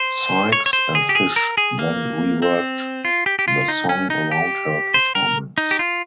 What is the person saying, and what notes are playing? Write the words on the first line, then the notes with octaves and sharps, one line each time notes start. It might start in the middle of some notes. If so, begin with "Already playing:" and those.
Sykes and Fish then reworked the song around her performance.
Already playing: C5
C#5
C#5
C5
G#4
G4
G#4
A#4
G#4
A#3
C4
F4
G4
G4
F4
D#4
C#4
D#4
G4
C5
A#4
D#4
G4
F4